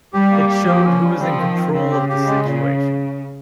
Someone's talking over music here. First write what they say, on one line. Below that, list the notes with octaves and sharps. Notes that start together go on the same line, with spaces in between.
It showed who was in control of the situation.
G3 G4
A#3
G4
F3 A#3
C#4
G3
F3 C4
D#3
C4
C#3 C4
G4
G4
G#3
A#2